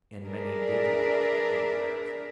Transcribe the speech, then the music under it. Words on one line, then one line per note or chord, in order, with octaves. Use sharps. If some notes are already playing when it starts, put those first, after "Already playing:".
And many did look and live.
D4 G#4 A#4 B4 D5 E5